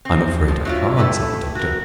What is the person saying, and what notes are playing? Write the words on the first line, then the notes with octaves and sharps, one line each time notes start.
"I am afraid I can't," said the Doctor.
C4
F3
F#3 E4 F4
A3 E4 G4 A4 B4
F#4 A#4